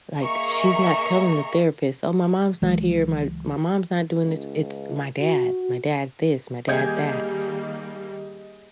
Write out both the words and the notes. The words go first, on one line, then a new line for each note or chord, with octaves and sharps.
Like, she's not telling the therapist, "Oh, my mom's not here. My my mom's not doing this. It's, my dad. My dad, this, my dad that,"
A#3 G#4 D#5 E5 A#5 C#6
C#2 E3 F#3 G#3
C#2
F#4
D#3 G3 A#3 G4 G#4 D#5 G6 G#6